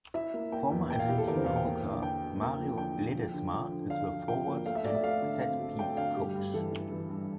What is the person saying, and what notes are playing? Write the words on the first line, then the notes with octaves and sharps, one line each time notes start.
Former Argentina hooker Mario Ledesma is the forwards and set-piece coach.
E4 E5
A#3
A#3 G5
E2
A#3 G5
F5
E4 G4
A4
E2 A#4
C5
E2 F5
G5
A#3
D3
D3 G5
D3
A#3
F3
D3 G5
D3
F3
D3
F3
D3
D3 F5
D3
F3 G5
A#3
A3 F5
E5
A3 D5
E5
A3 F5
D3
C4 F5
A3
A3 G5
D3 F5
G2 G4
G2
E3 A4
E3
E3
G2